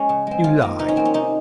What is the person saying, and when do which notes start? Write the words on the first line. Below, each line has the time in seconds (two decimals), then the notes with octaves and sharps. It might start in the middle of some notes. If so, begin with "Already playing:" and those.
"You lie!"
Already playing: G#3 C#4
0.09 C#3
0.27 G#3 C4
0.44 C3 F4
0.61 D#3 A#3 F4
0.79 C3 D#4
0.88 C#4
0.96 D#3 A#3 C4
1.05 C#4
1.14 C3 D#4